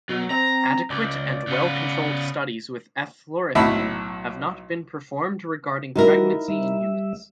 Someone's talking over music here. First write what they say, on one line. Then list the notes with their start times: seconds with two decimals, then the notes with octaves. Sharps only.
Adequate and well-controlled studies with eflornithine have not been performed regarding pregnancy in humans.
0.09 B2 F#3
0.30 C4 A#5
0.90 C#2 D5
1.47 C#3 B3
3.55 B1 A2 F#3 E5 A5 B5
5.96 G3 D#4 E4 F#4 A#4
6.48 G3 E5